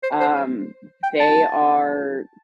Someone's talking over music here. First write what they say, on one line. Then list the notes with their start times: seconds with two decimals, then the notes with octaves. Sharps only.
um, they are
0.03 C5
0.20 C5
1.03 G5
1.20 A5